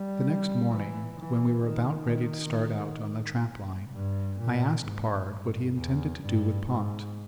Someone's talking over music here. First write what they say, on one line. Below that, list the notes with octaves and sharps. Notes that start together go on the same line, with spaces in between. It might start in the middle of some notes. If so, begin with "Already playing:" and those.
The next morning when we were about ready to start out on the trap line I asked Pard what he intended to do with Pont.
Already playing: G3
E3
E3
D#3
G2
A#2
G#2
G2
E2
G2
G#2